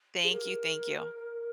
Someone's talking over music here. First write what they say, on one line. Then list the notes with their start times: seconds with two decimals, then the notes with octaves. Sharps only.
Thank you, thank you.
0.24 G#4
0.31 A#4